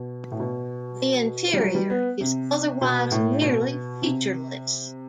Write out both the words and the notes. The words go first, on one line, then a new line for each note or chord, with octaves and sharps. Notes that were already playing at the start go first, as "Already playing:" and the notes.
The interior is otherwise nearly featureless.
Already playing: B2
A2
B2
G3
F#3
G3
B3
C3
B2
A2
B2
C3